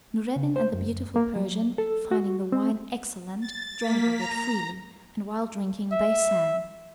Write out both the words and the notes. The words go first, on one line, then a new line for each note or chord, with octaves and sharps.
Noureddin and the beautiful Persian, finding the wine excellent, drank of it freely, and while drinking they sang.
C#3
C5
F#2
A#3
F#3
A4
F#4
C4
A6
A#3 B6
A#5 A#6
E5